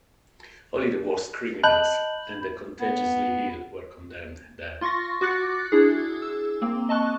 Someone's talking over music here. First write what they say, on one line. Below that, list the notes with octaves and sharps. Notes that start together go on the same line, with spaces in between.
Only the worst criminals and the contagiously ill were condemned there.
D#5 A5 B5 F#6 G6 F#7
B3
F4 C6 C#6 A6 A#6
F#4 D6 F#6 A6 C#7
D4 E4 G#4
E6
A#3 C4
D#5 A5 C#6 F#6